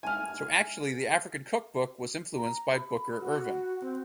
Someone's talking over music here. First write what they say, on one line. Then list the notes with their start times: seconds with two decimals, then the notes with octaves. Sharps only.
So, actually the African Cookbook was influenced by Booker Ervin.
0.03 G#5 F6
2.36 A#5
2.74 B5
3.20 F#4
3.81 C4